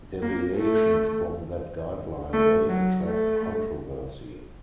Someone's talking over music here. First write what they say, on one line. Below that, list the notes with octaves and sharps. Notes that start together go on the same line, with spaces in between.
Deviations from that guideline may attract controversy.
A#3
A3
A3
F#3
A3